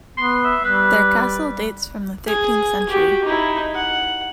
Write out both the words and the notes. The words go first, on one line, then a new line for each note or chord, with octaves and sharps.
Their castle dates from the thirteenth century.
B3 C6
E5
G3 B4
G#4
F#4 G4
D#4 E4
F#5